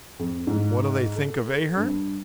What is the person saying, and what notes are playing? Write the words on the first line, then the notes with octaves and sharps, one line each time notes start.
What do they think of Ahearn?
F2
G#2
A4
G2